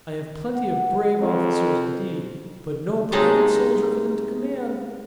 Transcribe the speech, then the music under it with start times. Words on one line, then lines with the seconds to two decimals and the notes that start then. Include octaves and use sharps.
I have plenty of brave officers, indeed, but no private soldier for them to command.
0.55 F#5
1.20 F2
3.12 C3 F#3 G#3 D#4 G#4 A5